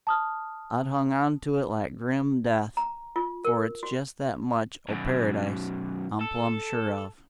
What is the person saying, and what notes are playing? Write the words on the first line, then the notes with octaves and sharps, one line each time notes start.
I've hung on to it like grim death, for it's jest that much o' Paradise I'm plumb sure of.
A5 D#6 F6
A#5
F4
A#4
F#4
F#2 B2
A4